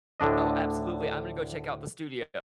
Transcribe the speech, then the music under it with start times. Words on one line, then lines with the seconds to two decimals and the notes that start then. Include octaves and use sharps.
Oh, absolutely, I'm gonna go check out The Studio.
0.20 D2 A2 D3 D4 D#5